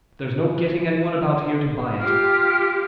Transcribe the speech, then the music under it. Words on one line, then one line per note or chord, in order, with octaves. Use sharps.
There's no getting any one about here to buy it.
F4 G4 F6